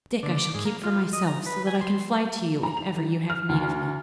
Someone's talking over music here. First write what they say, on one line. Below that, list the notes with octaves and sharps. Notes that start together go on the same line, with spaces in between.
The stick I shall keep for myself, so that I can fly to you if ever you have need of me.'
D3
D6
G#2
A#3
F4
D#5
A#5
B4
G#5
C6
A#5
F7
E3
F6
D2